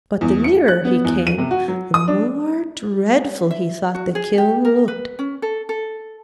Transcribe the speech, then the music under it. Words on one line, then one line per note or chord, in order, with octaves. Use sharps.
But the nearer he came the more dreadful he thought the kiln looked.
E2
C#7
F#6
B3
E2
D#7
C3
F#4
F#3
D#6
D4
E5
F#4
G#4
G4
A#4
B4
C#4
A4
A4